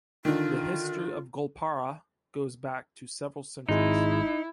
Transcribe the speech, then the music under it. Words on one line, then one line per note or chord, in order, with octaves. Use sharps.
The history of Goalpara goes back to several centuries.
D3 D#3 F4
G#1 G#3 D#4 E4